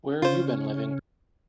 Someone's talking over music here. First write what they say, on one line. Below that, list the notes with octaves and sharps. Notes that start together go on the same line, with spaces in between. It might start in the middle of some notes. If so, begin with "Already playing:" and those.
Where have you been living?!
C#3 C#4 F4 C5